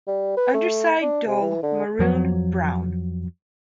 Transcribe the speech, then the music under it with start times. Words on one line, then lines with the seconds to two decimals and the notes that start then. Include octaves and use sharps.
Underside dull maroon brown.
0.07 G3
0.37 B4
0.54 A3
1.01 D4
1.27 C3
1.41 E3
1.63 D3
1.99 F2 F3 F#3